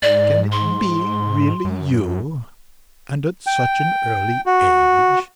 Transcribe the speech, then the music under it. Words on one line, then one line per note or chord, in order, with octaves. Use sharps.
Can it be really you ... and at such an early age?
G#2 D5
C6
F#2
G5
F#4